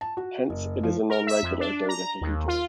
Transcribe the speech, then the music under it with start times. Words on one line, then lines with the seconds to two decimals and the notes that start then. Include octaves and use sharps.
Hence, it is a non-regular dodecahedron.
0.01 A5
0.17 F#4
0.49 F#1
0.83 F3
1.09 A#4
1.27 E5
1.43 F2
1.60 D4
1.89 A#5
2.21 D#2
2.48 F4